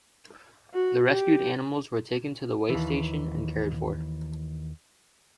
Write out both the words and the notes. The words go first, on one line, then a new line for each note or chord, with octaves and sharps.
The rescued animals were taken to the Waystation and cared for.
F#4
G4
D#2 E3